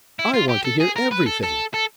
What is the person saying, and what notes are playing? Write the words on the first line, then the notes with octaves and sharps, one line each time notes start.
"I want to hear everything."
E4
F4
G4
A4
G#4
A#4
B4
A4
A4
A4